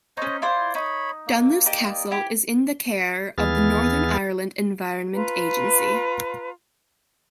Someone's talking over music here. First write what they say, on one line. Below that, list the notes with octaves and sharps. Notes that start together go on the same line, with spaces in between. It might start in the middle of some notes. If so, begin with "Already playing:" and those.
Dunluce Castle is in the care of the Northern Ireland Environment Agency.
C#4 D#4 C5 C#5 D#5
E4 F4 C5 D5
D#4 C#5 B5
A#3
D#4 G4 D5
E4 G4
D#2 E3 B3 G#4 F6 A6
F4 B4 A#5